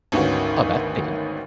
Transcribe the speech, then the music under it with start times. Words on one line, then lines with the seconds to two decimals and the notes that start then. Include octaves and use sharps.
Oh, that's neat.
0.12 G#1 D2 D#3 B3 C#4 F#4